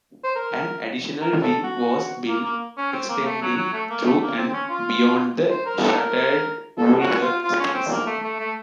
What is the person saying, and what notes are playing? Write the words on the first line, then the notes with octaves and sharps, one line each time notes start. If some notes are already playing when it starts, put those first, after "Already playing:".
An additional wing was built, extending through and beyond the shuttered Woolworth space.
C5
A#4
A#4
A4
F#4
A#3
A#3
C#4
C4
A#3
A3
F#3
F#3
A3
A#3
A3
A#3
C4
C4
C#4
F4
C5
A#4
A4
A#4
A4
F#4
F4
F4
C#4
C4
A#3
A3
A3
A3